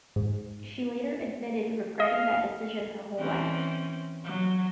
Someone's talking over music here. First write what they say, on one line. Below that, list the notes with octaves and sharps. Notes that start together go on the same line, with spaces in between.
She later admitted regretting that decision her whole life.
G#2
D#5 F5
E3 C4 C#4
F#3